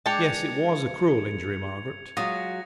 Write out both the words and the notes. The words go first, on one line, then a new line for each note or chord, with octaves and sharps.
Yes, it was a cruel injury, Margaret.
G#3 D4 G5 A5 G#6 C#7 F7
F#3 G#3 F4 F#4 D#6 A#6